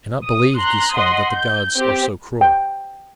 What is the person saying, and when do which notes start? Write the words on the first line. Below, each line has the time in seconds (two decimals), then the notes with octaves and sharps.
I cannot believe, Giscon, that the gods are so cruel.
0.24 D#6
0.55 A#5 C6 F#6
0.94 D#5 F#5 C6 D#6
1.31 G6
1.77 C4 G4
2.41 G5